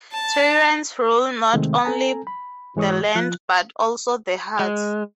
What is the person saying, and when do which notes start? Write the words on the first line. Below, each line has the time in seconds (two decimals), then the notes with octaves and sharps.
Tyrants rule not only the land, but also the hearts.
0.12 A5
1.53 C3 D#3 G#3 A3 C4
1.85 C4 A4 G#5 A#5
2.27 B5
2.76 G#2 E3 G#3 C#5 C#6 D#6
3.15 F3 F4 F#6
4.59 G#3